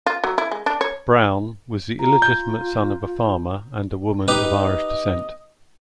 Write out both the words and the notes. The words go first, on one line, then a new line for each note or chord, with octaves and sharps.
Brown was the illegitimate son of a farmer and a woman of Irish descent.
F4
F#3
E4
G#3
D4
C#5
F4 A#5
G6
D#4 G4 B4 D#5